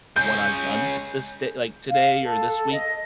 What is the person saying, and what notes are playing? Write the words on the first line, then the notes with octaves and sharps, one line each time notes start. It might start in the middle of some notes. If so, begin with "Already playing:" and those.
what I've done this day like, today or this week?"
G#3 C#4 G6
F5
A4
D#5